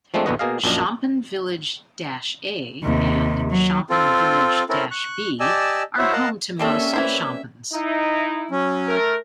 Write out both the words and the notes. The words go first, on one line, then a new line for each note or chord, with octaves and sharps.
Shompen Village-A and Shompen Village-B are home to most Shompens.
F3 G#3 A3 C4 D4
A#1 E2 D3 B3 F#4 D#5
B2 A#3 G#4 D#5 F5
A#1 F#2 A#2 D4 D#5
D#2 C3
F#3
C4 F4 A4
C4 C#4 E4 A4 A#4
C#6 F#6
G4 D5 D#5 G#5 A5 E6
E4 F#4 C5 C#5 E5
A#4 D#5 F5 F#5 A5
G3 A#3 C4 C#4 A4 E5
E3 E4 C5
D#4 E4
F#3 C#4
A3 A#4